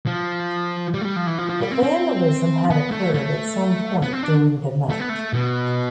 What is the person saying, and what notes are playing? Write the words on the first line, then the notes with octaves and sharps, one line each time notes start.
The vandalism had occurred at some point during the night.
F3
G3
A3
G3
F3
E3
F3
F3
G3
C4
C4
B3
A3
A3
B3
C4
D4
A3
B3
A3
B2